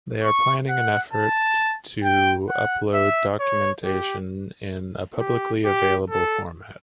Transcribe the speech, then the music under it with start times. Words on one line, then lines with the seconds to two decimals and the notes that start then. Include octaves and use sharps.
They are planning an effort to upload documentation in a publicly available format.
0.24 C#6
0.69 F#5
1.14 A5
2.04 G5
2.49 F#5
2.94 E5
3.40 C#5
3.85 G4
5.20 G4
5.65 G4
6.10 A4